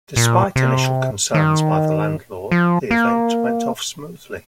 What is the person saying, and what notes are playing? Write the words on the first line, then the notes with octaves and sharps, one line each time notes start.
Despite initial concerns by the landlord, the event went off smoothly.
A#2
C3
D#3
F3
A#3